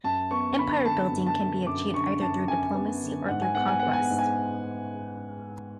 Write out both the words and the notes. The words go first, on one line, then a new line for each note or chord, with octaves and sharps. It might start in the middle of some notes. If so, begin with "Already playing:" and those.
Empire building can be achieved either through diplomacy or through conquest.
F#2 A5
B3 C#6
D3 B5
D3 A5
F#2
A5
D3
F#2 D6
D3 C#6
F#2 A5
F#2 G#5
B3
D3
G#2 F#5
G#5
B3 F#5
G#5
B3 F#5
G#5
F#5
G#2
G#5